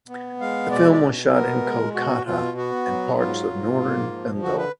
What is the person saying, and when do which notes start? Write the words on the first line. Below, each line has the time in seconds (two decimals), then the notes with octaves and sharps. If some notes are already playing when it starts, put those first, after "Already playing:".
The film was shot in Kolkata and parts of North Bengal.
0.09 B3
0.40 G#3 F5
0.71 B2 D5
0.92 D5
1.02 B2
1.33 B3 A#4
1.64 G#3
1.95 B2 F#4
2.25 B2 F4
2.57 B3 F#4
2.88 F#3
3.19 G#2 F4
3.50 G#2
3.81 A#3
4.12 F3
4.42 D3 F#4
4.58 B4